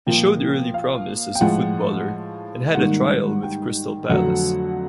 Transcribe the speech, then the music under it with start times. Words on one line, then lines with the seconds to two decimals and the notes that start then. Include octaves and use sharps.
He showed early promise as a footballer, and had a trial with Crystal Palace.
0.07 A#2 F3 A#3 G5
0.74 F5
1.35 G5
1.41 A2 F3 G#3 F#5
2.74 G#2 D#3 G3 A#3 F#5
3.43 G5
4.09 F2 D3 F#3 A3 F#5